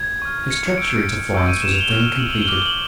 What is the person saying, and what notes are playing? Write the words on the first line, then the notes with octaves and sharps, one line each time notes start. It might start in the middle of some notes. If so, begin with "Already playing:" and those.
His treachery to Florence was a thing completed.
Already playing: G#6
C#6 F6
C#7
C#7
C#6 E6 G6 D7
C#6 E6 G6 D7
D#7
E7
F7
G7
C#6 F6
F#7
F#7
G7
D6 F6 F#7
G7
F#7